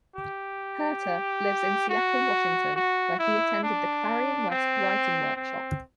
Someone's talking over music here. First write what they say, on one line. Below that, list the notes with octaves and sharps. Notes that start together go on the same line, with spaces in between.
Herter lives in Seattle, Washington, where he attended the Clarion West writing workshop.
G4
F#4
F#4
E4
D4
C4
C4